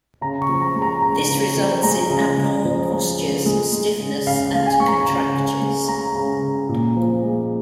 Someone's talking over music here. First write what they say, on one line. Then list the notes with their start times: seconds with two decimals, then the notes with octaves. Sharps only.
This results in abnormal postures, stiffness and contractures.
0.21 C#3 A#5
0.41 C#6
0.49 F3
0.61 A#5
0.75 G#3
0.82 A#5
1.02 C#3 A#5
1.29 C#3
1.57 F3
1.83 G#3 A#5
2.10 C#3
2.38 C#3
2.65 F3
2.92 G#3
3.18 C#3
3.46 G#3
3.72 G#3
4.00 C#3
4.27 C#3 F5
4.47 F5
4.54 G#3
4.66 G#5
4.80 G#3 C#6
4.88 A#5
5.08 C#3
5.34 C#3
5.61 G#3
5.88 G#3 A#5
6.15 C#3
6.42 C#3
6.69 A#2
6.96 F3
7.23 G#3